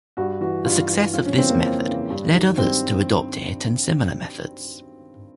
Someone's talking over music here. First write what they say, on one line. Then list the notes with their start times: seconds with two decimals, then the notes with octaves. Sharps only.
The success of this method led others to adopt it and similar methods.
0.17 G2 F#4
0.40 E3 F#4
0.65 G2 F4
0.89 E3
1.13 F2 F4
1.26 C#4
1.38 C#3 E3 C4
1.50 A#3
1.61 F2
1.85 C#3 E3
2.10 G2
2.34 D#3 F#3
2.58 G2 C4